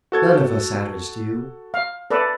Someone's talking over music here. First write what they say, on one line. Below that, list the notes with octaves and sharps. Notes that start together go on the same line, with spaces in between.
None of us Adders do.
F#4 A4 G#6
F5
A4 B4 D5